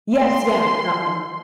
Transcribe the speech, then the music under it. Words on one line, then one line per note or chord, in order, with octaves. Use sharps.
Yes, yeah, that one.
C6